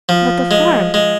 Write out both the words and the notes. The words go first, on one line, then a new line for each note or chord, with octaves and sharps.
"But the farm?"
F3
G#3
G#3